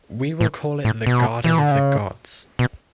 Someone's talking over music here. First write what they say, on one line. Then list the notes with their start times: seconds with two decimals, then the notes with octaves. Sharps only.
We will call it the Garden of the Gods.
0.41 A2
0.85 A2
1.06 B2
1.44 E3
1.59 D3
1.71 C#3
2.59 B2